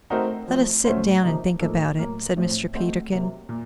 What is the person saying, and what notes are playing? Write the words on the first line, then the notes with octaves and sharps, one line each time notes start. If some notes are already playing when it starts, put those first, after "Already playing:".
"Let us sit down and think about it," said Mr. Peterkin.
A3 C4 D#4 F#4 A#4
F3 A3 C4
A2 A3 C#4 F#4 C5
C3 F3 A#3 D#4
A2 F3 A#3 D#4 A4
A2 F#3 A#3
A2 F3 C4
A3 C4 F#4 C5 D#5
C3 F#3 A#3
A#2